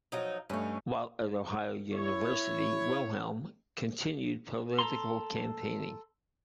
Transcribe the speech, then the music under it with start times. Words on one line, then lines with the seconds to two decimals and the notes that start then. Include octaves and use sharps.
While at Ohio University, Wilhelm continued political campaigning.
0.12 F3 F#3 D#4
0.50 G2 A3 C#4 D#4
1.93 E4 C#5
4.79 A4 A#5 C6